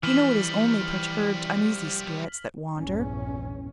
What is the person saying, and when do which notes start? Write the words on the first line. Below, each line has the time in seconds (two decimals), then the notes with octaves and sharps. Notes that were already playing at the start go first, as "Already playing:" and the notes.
You know it is only perturbed, uneasy spirits that wander.
0.03 E3 F3 G3 F6 B6 F#7
2.78 A#1 E2 G2 C#4